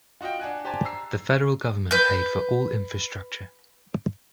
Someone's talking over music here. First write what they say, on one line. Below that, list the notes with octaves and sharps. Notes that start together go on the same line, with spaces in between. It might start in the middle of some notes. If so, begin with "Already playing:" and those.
The federal government paid for all infrastructure.
F4 F#4 D#5 F5 G5
D4 F#5 G#5 F#6
G4 C5 D5 G#5 A5
A#5 E6 C7
B4 G6